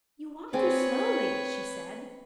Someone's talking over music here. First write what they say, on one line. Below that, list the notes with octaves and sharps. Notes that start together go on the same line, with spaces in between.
"You walk too slowly," she said.
C4 G#4 B4 C#5 D5